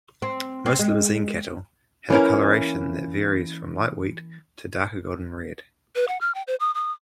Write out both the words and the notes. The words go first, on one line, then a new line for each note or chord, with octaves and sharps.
Most Limousin cattle have a coloration that varies from light wheat to darker golden-red.
C4
C4
G#3
E3 A#3 C#4 E4 A#4
B4
F#5
F6
G5
C5
D#6
D#6